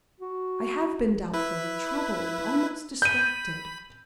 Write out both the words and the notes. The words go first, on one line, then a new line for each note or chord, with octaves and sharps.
I have been doubtful, troubled, almost distracted.
F#4
E4 B4
B5 G6 D#7